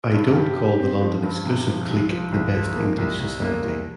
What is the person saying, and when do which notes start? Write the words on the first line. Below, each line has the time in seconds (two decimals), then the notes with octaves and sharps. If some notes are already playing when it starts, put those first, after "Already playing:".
I don't call the London exclusive clique the best English society.
0.14 G2
0.36 G4
0.58 G4
0.80 C4
1.01 F3
1.23 G2
1.45 C3
1.67 F3
1.89 C2
2.11 F3
2.32 C2
2.54 F3
2.76 A#3
2.98 C2
3.19 C2
3.42 A#3
3.63 C2